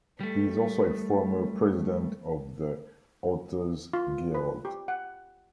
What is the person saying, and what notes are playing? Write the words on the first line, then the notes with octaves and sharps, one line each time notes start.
He is also a former president of the Authors Guild.
G3 A3
F4
B4
G4
F#5